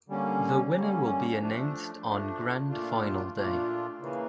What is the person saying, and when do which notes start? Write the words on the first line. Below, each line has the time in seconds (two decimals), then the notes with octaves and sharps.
The winner will be announced on Grand Final day.
0.09 D3 G3 A#3 C#4
0.74 D3 G3 A#3 C#4
1.40 F3 A3 D4
2.05 F3 A3 D4
2.69 A#2 A3 D4 F4
3.35 A#2 A3 D4 F4
4.00 C#3 E3 A#3